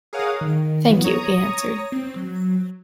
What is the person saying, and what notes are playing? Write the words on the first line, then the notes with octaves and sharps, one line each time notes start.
"Thank you," he answered.
G#4 A#4 C#5 F5 F#5 D#6
D#3
E3 F#3 B3
C#5 A#5 C#6 D#6
C4
F#3